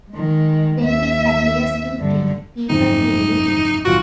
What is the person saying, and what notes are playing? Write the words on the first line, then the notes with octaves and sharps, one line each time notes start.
When it appears in print, people believe it.
D#3 G#3
D#2 E5
G2 D3
F#1 F2 G#2 D#4
B1 F4 F#4 D7